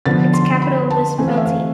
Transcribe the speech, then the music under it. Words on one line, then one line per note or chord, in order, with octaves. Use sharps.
Its capital was Biltine.
D3 F3 B3 A6
C6
B5
A5
E3 A3 C4 G#5
F5
E5
F5